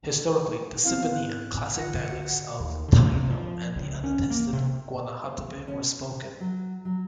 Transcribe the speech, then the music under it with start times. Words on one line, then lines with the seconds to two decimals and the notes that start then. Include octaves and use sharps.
Historically, the Ciboney and Classic dialects of Taino and the unattested Guanahatabey were spoken.
0.84 B3 C4 E4 F5
1.12 G#2 F#6
1.75 D3 F4 F#5 A#6
2.11 F#4
2.60 D#2
2.88 D3
3.13 C3
3.30 F3
3.76 C#2
4.04 C#4
4.30 A#3
4.53 C3
5.24 C5
5.68 C#4
6.40 F#3
6.85 F#3